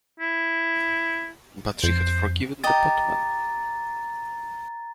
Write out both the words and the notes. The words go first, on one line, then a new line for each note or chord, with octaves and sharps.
But she had forgiven the pot man.
E4
F2 C5
G4 D#5 G5 A#5 A6